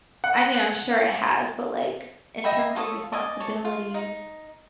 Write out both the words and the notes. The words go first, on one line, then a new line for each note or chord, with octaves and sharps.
I mean, I'm sure it has, but, like, in terms of responsibility,
F#5
D#5 E5 G5 B5
F4 A4 C#5 D#6
D5 D#5 G#5
C#5 A5
F4
D#4